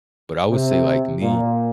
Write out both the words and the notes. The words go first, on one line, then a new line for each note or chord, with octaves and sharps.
but I would say like me,
C3
A#2